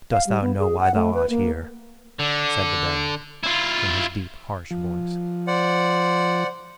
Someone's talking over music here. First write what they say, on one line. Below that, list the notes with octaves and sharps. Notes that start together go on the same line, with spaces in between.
"Dost thou know why thou art here?" said the Baron, in his deep, harsh voice.
F5
G3
B3
G#4
F#5
A3
B4
A#3
D3
E4 F4
F3
C5 D5 F#5